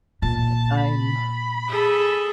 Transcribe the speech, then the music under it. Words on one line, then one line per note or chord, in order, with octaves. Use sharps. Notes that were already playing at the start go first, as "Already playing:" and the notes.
But I'm
A#2 A5
B5
G#4 A4